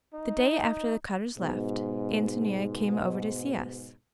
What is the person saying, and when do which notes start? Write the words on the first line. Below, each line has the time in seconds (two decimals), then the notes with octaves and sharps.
The day after the Cutters left, Antonia came over to see us.
0.14 D#4
1.38 G#2 B2